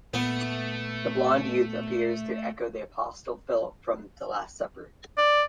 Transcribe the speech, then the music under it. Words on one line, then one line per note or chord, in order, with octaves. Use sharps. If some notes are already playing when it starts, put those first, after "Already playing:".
The blonde youth appears to echo the apostle Philip from "The Last Supper".
A#2 A3 B3
D5